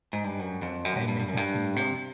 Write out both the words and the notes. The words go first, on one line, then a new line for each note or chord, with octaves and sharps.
I may have been wrong.
G#2
G2
F#2
F2
F#2
G2
G2
G2
F#2
G2
C3